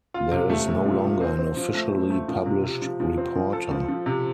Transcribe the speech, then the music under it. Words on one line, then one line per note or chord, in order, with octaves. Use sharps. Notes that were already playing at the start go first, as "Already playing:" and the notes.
There is no longer an officially published reporter.
F4
C3
A3
A3
F3
F3
C4
C4
F3
A3
A3
A3
F3
C3
C3
F3
F3
C4
F3
A4
F3
F3
C3